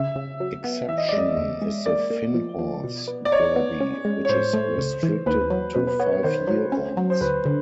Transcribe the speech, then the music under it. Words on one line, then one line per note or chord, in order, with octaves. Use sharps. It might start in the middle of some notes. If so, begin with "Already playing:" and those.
Exception is the Finnhorse Derby, which is restricted to five-year-olds.
Already playing: C#3 E5
C#3
F#3
B3
E3 E5
D#5
G#3 D5
D#5
E2
G#3
A#3 D5
A#3
F3
F3
B2
B3
D5
D#4 C#5
B3
C#4
G#3
C#5
A2 C5
A3
C#2
E3
D#2 B4
F#3
B2 B4
B4
B3 C#5
C#5
D#3 C5
F#3
C#4
F#3
C5
D2 B4
D3